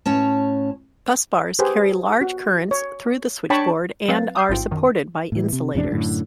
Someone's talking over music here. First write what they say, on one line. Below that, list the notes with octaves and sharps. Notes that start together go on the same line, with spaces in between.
Busbars carry large currents through the switchboard, and are supported by insulators.
A2 C#4 C#5 A5
G4 G#4 B4 C5
F#4
C#5
D4 C#5 G5 A5 B5 C#6
F#3 C4 B4 F5 A6
D#6 E6 G6 C7
A1 G#2 F4 G5
F#2 D#3
A2 E3
C3
A1 F2 C3 D4
F#2 A2 D3